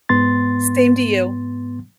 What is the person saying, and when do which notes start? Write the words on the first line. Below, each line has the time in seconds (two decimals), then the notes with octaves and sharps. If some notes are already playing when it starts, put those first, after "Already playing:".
Same to you.
0.09 G#2 B3 C6 A6